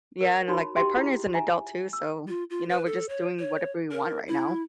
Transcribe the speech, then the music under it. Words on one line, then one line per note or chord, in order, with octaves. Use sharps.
Yeah, and like, my partner is an adult too, so, you know, we're just doing whatever we want right now.
A#4
D#4 F#4 C#5 A5 B5
G4 E5 G5 C6
E4 F4 G#4
E5 G#5 A#5
E6
F4
F4
B4
A4
C#5
C#5
A#4
E4